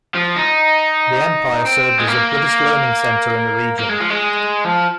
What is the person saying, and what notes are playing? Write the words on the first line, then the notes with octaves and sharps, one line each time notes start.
The empire served as a Buddhist learning center in the region.
F3
D#4
C4
G#3
A#3
A#3
G#3
F3
G#3
F3